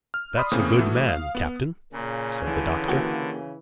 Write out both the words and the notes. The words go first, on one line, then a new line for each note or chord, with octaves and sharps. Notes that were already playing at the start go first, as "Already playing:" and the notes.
"That's a good man, captain," said the doctor.
F6
D5 B5 C6 D#6
A2 C#3 E3 A#3 C4
E3 A3 F#4
F5
B3
A#2 C#3
D3 E3
A#3 F#4 G4